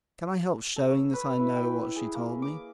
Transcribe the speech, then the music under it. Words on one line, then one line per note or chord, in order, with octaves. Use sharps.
Can I help showing that I know what she told me?
A4
C#5
B4
E4
G5
G#4
A#3
D6